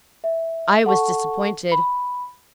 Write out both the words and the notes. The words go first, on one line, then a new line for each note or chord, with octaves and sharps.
I was disappointed.
E5
A4 F#5 A5 C#6
B5